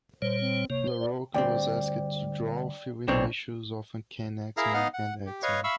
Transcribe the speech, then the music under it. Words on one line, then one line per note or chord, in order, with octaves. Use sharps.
Larroca was asked to draw fill-in issues of "Uncanny X-Men" and "X-Men".
A#2 G3 C5 C#5
C4
C3 A#3 C#5
C5
D5
D2 G2 C4 D5 G5
B1 C4 D4 C#5
E4 G#4 A#4 E5 F5 A#5
B3 D#4 D#5 F5 F#5 F6
F#5
G4
B4 C#5 D#5 F5 C#6
E5 F5 B5 C#6 E6